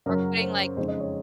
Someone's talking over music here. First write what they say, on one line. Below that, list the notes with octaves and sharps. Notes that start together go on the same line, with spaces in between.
or putting, like,
F#2 C#3 F#3 C#4 A#4
C5
C5
F2 C#3 G#3 C4 D#4 C5
D#5
C#5